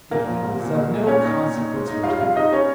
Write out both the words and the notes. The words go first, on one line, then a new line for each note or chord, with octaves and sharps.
The end is of no consequence whatever.
A#2 A#3 A#4
F3
C2
A#2
C2
A#2
A#2 C#4 C#5
D#4
A#2
D#4
G#3
D#4
G3 F4 F5
C3 F4 F5
C3 D#4 D#5
G3 C#4 C#5